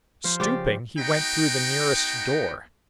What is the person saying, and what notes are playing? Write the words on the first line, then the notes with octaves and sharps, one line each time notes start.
Stooping, he went through the nearest door.
F3 C5
C#3 G4 C5 D5
B3 D#4 F#4 G5